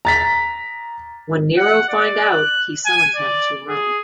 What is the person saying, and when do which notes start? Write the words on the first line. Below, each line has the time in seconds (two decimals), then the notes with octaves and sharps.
When Nero find out, he summons them to Rome.
0.05 A#5 A6 B6
1.58 F#5
1.89 D5
2.31 F#6
2.86 G#5
3.16 D5
3.69 G#4